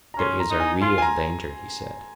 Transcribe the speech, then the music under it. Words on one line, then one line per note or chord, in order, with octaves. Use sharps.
There is a real danger, he said.
A#5
C#4 C6
A#5
D#4
G#5
F4 C6
G#5
A#5